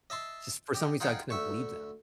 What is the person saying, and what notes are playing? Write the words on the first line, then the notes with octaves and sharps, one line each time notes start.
Just for some reason I couldn't believe them.
D#5 E5 A5 C6
G4 D#5
D#4 F4 G#4 F#5 G5
D2 E5 C#6